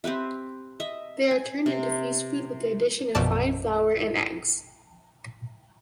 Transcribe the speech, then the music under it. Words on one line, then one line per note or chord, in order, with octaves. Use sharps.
They are turned into feast food with the addition of fine flour and eggs.
C4 G4 B4 E5
D#5 E5
G#5
C3
A#1 F#2 B2 F3 D5 A5